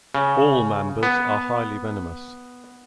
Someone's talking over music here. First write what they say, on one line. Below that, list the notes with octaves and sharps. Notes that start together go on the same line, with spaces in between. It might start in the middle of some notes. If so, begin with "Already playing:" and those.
All mambas are highly venomous.
C#3
B3